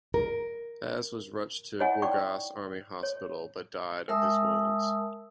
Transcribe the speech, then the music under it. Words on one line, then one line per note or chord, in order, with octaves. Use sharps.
Paz was rushed to Gorgas Army Hospital but died of his wounds.
A#4
E4 C#5 D#5 F#5 G#5
D#4 D5 G5 C#6
C#5
G#3 A#4 E5 A5 D#6 E6